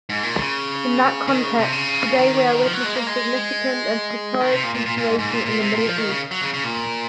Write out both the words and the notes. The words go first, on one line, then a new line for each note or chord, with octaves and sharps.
In that context, today we are witnessing significant and historic transformation in the Middle East.
G#2
A#2
C#3
D#3
C#3
C3
C#3
D#3
F3
F#3
G#3
A#3
G#3
D#3
C3
A#2
A#2
A#2
A#2
G#2
G#2
A#2
A#2
C3
A#2
F3
D#3
C#3
F#3
C#3
C#3
A#2